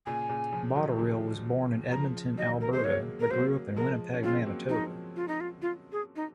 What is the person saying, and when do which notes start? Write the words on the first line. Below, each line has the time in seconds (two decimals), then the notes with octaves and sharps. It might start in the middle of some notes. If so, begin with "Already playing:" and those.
Botterill was born in Edmonton, Alberta, but grew up in Winnipeg, Manitoba.
0.06 A#2 C#3 G#5
0.29 A#2 C#3
0.52 C#3 F3
0.76 D#3 F#3
0.99 C#3 F3
1.91 C#3 F3 A#5
2.38 D#3 F#3 D#5
2.61 A#4
2.72 G#3 C5
2.83 F#3 A#3 C#5
3.20 A#4
3.30 F#3 A#3 C5
3.76 F3 G#3 A#4
4.14 C#4
4.23 G#3 C4 F4
4.46 F#3 A#3
4.69 F3 G#3 D#4
5.16 F4
5.28 D#4
5.40 F4
5.62 F4
5.92 G#4
6.16 D#4